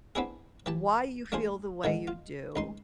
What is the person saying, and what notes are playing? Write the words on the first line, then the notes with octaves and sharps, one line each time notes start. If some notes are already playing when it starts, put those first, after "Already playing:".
why you feel the way you do,
B3 C4 D4 E4 G#4
E3 G4 A5
A3 D4 F4 G#4 C5
D3 D#3 G#3
F4
C#2 D#4 C6